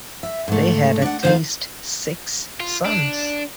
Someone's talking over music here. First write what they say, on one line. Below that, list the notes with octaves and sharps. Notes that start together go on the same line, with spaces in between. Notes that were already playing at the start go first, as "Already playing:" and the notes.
They had at least six sons.
E5
G#2 A3
D4 F#5
F2 F3 C5 F5
F4
D4